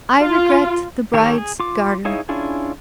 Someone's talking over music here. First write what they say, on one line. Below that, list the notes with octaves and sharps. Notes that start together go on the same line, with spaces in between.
I regret the bride's garter.
F4
D#3 G4 A4 A#4 C#5
G#4
F4 D6
D#4 E4 G#4 C#5 F5
C#4 D4 E4 F4 G#4